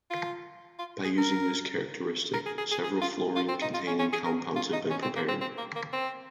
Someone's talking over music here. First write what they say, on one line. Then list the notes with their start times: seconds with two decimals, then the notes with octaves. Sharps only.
By using this characteristic, several fluorine-containing compounds have been prepared.
0.11 F4
0.79 F4
1.05 G#4
1.18 A#4
2.34 A#4
2.46 G#4
2.58 G#4
2.72 G#4
2.84 G#4
3.02 F4
3.36 F4
3.49 C4
3.62 D#4
3.74 F4
3.87 C#4
3.99 C#4
4.13 G#4
4.26 A#4
4.56 F4
4.73 D#4
4.90 C#4
5.02 C4
5.16 A#3
5.29 C4
5.41 C4
5.58 A#3
5.76 A#3
5.93 C4